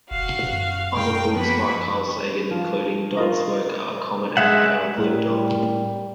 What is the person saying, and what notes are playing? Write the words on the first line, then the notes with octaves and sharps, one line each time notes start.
Other books by Carl Sagan including Don's work are "Comet" and "Pale Blue Dot".
E1 F#4 F5
F#2
G#3 A#4 G5
F3 A#3 B3 F#4 B4 B5
F3
F4 A#4 D#5
G#3 E5 F#5
A2 G3 A#4